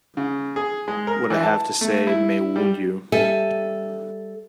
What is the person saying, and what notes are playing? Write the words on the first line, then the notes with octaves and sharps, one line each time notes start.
What I have to say may wound you.
C#3
G#4
G#3
A#4
E3
A5
A3
E4
G3
G3 A4 E5 G#5